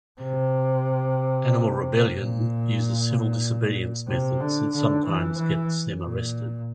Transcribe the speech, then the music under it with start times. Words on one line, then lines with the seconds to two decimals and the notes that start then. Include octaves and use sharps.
Animal Rebellion use civil disobedience methods that sometimes get them arrested.
0.21 C3
2.15 A#2
4.08 C3
4.41 D3
4.73 D3
5.05 E3
5.38 E3
6.02 A#2